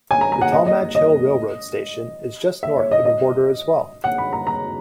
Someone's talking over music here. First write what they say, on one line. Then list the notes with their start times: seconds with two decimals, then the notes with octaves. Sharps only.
The Talmadge Hill railroad station is just north of the border as well.
0.11 G#5
0.21 A#5
0.32 A#5
0.41 F#5
0.52 D#5
0.66 D#5
0.95 D#5
2.63 E5
2.77 C#5
2.91 D#5
3.05 D#5
4.04 F#5
4.18 B5
4.33 A#5
4.47 A#5